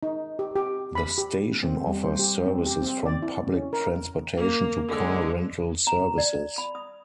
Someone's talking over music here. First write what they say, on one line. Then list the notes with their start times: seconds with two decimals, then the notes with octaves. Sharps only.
The station offers services from public transportation to car rental services.
0.03 D#4
0.39 G4
0.56 G4
0.95 B5
1.18 G4
1.63 C4
1.87 G3
2.03 C5
2.19 G4
2.46 C4
2.66 G4
2.82 C4
3.05 D5
3.22 E4
3.53 C#4
3.73 A#4
4.37 A#3
4.88 D3 G#3
5.87 A#5
6.18 D5
6.58 B5
6.75 D#6